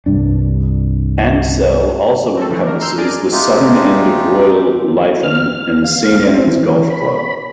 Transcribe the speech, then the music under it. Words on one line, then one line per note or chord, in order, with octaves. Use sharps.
Ansdell also encompasses the southern end of Royal Lytham and Saint Annes Golf Club.
C2 G2 D4
C4 C#4 A4
C#3 E3 F3 A3
D4 A#4
A#5 C6 E6 F6 G6
D4 G#4 A#4 D5 D#5
G#3 A3 C4 D#4 F4 G4
F6
F5
C4
E3
B5